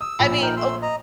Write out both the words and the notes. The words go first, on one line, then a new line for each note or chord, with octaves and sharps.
I mean, ok
D#6 E6
A#1 A#2 B5
D#4 A#4 G5
A3 C6 E6
D#5 A#5